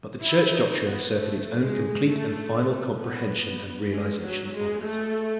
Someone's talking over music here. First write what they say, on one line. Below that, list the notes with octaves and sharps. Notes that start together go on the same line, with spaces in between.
But the Church doctrine asserted its own complete and final comprehension and realization of it.
E4
D#4
B3
A3
G#3
A3
B3
G#3
F#3
G#3
A3